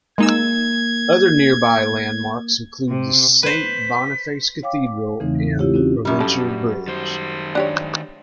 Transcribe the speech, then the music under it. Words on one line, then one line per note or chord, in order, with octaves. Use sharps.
Other nearby landmarks include the Saint Boniface Cathedral and the Provencher Bridge.
G#3 A#3 D#4 E6 G#6
C3
B4 C5 B6
C#5 F5 G5 D6
D6
E2 C#3 E3 A3 C4 D#4
C4 E4 F4 G4 C#5
C4 C#4 D#4 F4 F#4
F#2 G3
G2 A4
D#3 C5
D4 G4 C#5